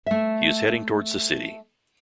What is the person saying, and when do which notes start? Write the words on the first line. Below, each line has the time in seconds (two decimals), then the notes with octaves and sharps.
He is heading towards the city.
0.06 A3 E5